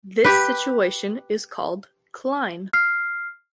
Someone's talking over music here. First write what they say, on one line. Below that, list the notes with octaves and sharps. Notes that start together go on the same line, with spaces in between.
This situation is called cline.
G4 B4
F6 C7